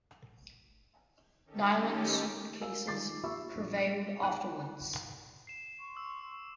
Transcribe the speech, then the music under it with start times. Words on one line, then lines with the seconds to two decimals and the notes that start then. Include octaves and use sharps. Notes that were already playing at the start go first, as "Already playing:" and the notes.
Nylon suitcases prevailed afterwards.
1.45 D#3 C#4 D#4 G4 A4
2.61 F#4 A#4 F5 G#5 E6
2.87 D#3 F4 D6 A6 C7
3.24 F4 G4 E5 B5 C#6 E6
3.55 A#1
3.77 F#6 D#7
4.23 D#4 G#5 F#6 D#7
5.47 C7 E7
5.80 C6 C#6
5.95 D6 E6